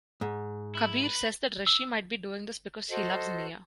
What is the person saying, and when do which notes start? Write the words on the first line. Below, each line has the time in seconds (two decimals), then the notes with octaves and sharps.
Kabir says that Rishi might be doing this because he loves Niya.
0.21 G#2
0.75 E4
1.04 B4
1.67 E6
2.89 F#4 A4 C5 D#5